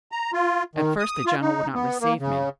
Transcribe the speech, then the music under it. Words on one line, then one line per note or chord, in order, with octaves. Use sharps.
"At first the general would not receive me."
A#5
F4
D#3
D#6
F4
D#4
B3
A#3
C#3